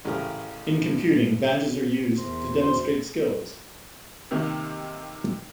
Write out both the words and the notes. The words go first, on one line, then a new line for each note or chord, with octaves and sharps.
In computing, badges are used to demonstrate skills.
A1 C#3 G4 A#4
E2 A#4 C5 C6
F#4 C5 C6
C3 D#3 A#3